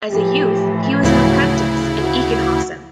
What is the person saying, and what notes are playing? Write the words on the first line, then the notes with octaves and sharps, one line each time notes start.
As a youth, he was an apprentice in Ichenhausen.
A2 E3 F3 G4
D2 C#3 F#3 E4
F#4